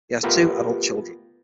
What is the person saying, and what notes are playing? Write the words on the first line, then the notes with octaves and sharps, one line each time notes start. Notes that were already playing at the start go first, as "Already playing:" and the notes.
He has two adult children.
A3 B3 F4 G4 A#4 B4